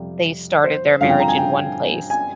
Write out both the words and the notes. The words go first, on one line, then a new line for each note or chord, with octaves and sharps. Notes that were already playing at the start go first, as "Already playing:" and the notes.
they started their marriage in one place.
Already playing: F2 C3 G3
C5
G2 D3 F3 C4 F5
G5
A#5
G#5
G5
G#5